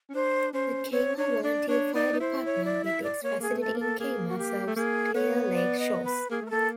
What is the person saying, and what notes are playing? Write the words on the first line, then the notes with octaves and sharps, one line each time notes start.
The Kemah Volunteer Fire Department, with its facility in Kemah, serves Clear Lake Shores.
C#4
D4 C5
C#4 C5
C#4
C4 C#5
D4 C#5
D4 D5
D4 C#5
D#4 D5
D#4
E4 C5
C#5
D5
E5
D5
A#3 C#5
A#3 G#4
A3
A3 A4
A#3
A4
A#3 G#4
F#4
G4
A3
A#3 G#4
B3 C#5
D5
D#5
B4
A#3 G#4
A3 A#4
A#3 A4